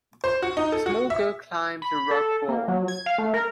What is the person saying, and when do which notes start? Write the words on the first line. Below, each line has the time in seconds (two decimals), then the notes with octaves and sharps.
A small girl climbs a rock wall.
0.24 C5
0.42 F#4
0.57 D#4
0.72 A4
0.86 F#4
1.10 E5
1.82 B5
2.11 A4
2.48 A#3
2.68 F#3
2.88 G#6
3.06 F5
3.18 A3
3.34 A#4